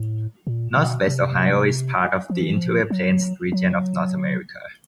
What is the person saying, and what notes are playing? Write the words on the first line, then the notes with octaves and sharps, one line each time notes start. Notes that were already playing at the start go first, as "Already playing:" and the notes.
Northwest Ohio is part of the Interior Plains region of North America.
Already playing: A2
A#2
B2
C3
F3
E3
F3
F#3
F#3